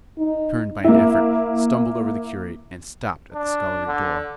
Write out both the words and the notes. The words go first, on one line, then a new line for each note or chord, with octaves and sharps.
I turned by an effort, stumbled over the curate, and stopped at the scullery door.
D#4
A#3 E4
D4
D3